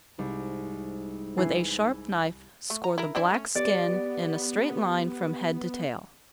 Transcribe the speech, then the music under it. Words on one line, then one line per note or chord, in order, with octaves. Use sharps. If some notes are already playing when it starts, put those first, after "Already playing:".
With a sharp knife score the black skin in a straight line from head to tail.
C2 G#2
E3 C7
A3
A#5
E4 A#4
C4 D4 E4
A3 C#4
B3 G4 D5